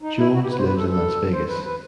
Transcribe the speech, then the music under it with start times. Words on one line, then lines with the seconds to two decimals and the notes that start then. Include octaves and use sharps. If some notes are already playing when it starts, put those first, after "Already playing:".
Jones lives in Las Vegas.
0.02 D#4
0.17 E4
0.34 F#4
0.42 G4
0.51 B4
0.58 C5
0.67 B4
0.77 A4
0.89 A4
1.33 C5
1.49 B4
1.64 B4